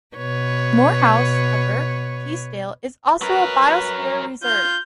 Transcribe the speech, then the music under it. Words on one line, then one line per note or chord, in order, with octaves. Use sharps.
Moor House-Upper Teesdale is also a Biosphere reserve.
B2 B4 C#5
F#3 A#4 B4
F4 G6